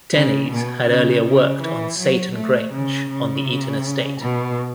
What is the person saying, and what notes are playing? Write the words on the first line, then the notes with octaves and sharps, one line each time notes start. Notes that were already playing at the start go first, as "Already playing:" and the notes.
Dennys had earlier worked on Saighton Grange on the Eaton estate.
C#3
B2
C#3
C#3
E3
F#3
A3
C#3
C#3
B2